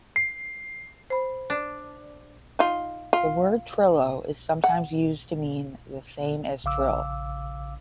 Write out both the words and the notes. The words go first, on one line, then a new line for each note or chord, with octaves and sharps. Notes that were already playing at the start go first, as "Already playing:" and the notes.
The word "trillo" is sometimes used to mean the same as trill.
C7
C5 B5
D4
D#4 F4
F4
F#5
A#1 C#3 F5 D6 E6